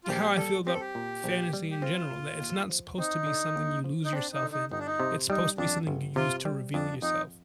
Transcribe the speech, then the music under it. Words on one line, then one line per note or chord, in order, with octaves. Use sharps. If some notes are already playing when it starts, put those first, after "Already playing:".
how I feel about fantasy in general, that it's not supposed to be something you lose yourself in, it's supposed to be something you use to reveal yourself.
F4
A#1 G4
G4
G3 A4
C4 G4
A4
G4
A#2
A#1
G3
G4
C4 F4
A#2
D#2
F3
C4 D#4
D3
D#2
F3
D#4
C4 D4
D#4
D3
D#4
G1 D#4
D4
D#4
C3
G3 D#4
F2 D4
G1
C3 F4
G3
F2 D4
F2 D#4